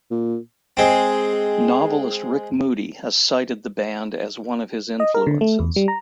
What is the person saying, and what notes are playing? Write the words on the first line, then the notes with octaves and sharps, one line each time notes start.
Novelist Rick Moody has cited the band as one of his influences.
A#2
G#3 C4
D#5
A#4
D3
A3
E2
G3
A#5